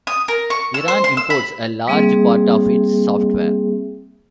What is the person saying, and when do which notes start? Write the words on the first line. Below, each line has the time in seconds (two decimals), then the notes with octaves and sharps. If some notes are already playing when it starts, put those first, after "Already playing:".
Iran imports a large part of its software.
0.07 D#6
0.28 A#4
0.50 C#6
0.74 E6
0.88 C5
1.04 C6
1.17 E6
1.30 B5
1.87 G3 A#3 C4 G#4 E5